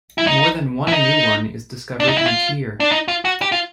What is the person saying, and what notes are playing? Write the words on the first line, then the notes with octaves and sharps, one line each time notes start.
More than one new one is discovered each year.
E4
D#4
E4
D#4
D4
D#4
E4
F4
D4
D#4
F4
F#4
G4
F4